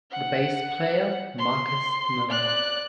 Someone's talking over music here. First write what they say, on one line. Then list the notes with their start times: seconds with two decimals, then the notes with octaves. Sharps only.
The bass player Marcus Miller.
0.12 F#5
1.39 C6
2.30 D5 F#6